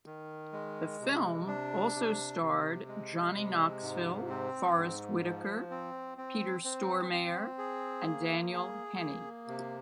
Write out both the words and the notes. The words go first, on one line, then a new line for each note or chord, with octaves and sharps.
The film also starred Johnny Knoxville, Forest Whitaker, Peter Stormare, and Daniel Henney.
D#3
G#3
C3
D4
C3
C3
G#3
C3
G#2
C4
G#2
F3
C4
C4
C4
C4
G#4
A#3
G#4
A#3
C3